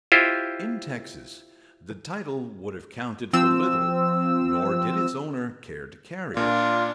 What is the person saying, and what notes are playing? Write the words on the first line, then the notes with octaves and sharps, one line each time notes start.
In Texas the title would have counted for little; nor did its owner care to carry it.
E4 F4 G4 C5 D#5
F3 C4 E6
A#2 D4 F4